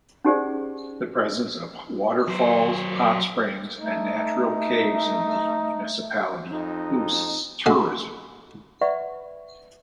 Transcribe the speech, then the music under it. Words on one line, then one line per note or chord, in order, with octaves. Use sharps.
The presence of waterfalls, hot springs and natural caves in the municipality boosts tourism.
C#4 D#4 G4 G#4 C5 D5
F#3 C5
A3 D#4
F2 D#4
A3 F#4 D#5 F5 G#5
B4 D5 E5 F#5 B5 C#6